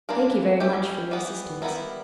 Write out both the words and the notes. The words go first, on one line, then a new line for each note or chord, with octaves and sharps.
Thank you, very much, for your assistance.
E3 A#3 D4 A#4
C#4 E4 G4
E3 G3 B3
G3 B3 E4 A#4